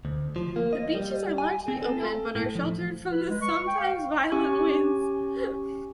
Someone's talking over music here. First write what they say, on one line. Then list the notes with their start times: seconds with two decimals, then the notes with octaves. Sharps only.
The beaches are largely open but are sheltered from the sometimes violent winds.
0.05 D2
0.36 F3
0.56 A#3
0.73 D#5
0.95 G3
1.38 G#5
1.68 C4
1.82 A4
2.35 A2
2.56 F3
3.11 B4
3.29 G#3
3.42 C#6
3.67 G5
3.79 F5
4.32 C#4 G4 G#5 C#6